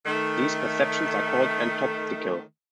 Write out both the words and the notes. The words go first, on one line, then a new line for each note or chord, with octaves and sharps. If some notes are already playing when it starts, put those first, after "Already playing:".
These perceptions are called "entoptical".
D#3 A3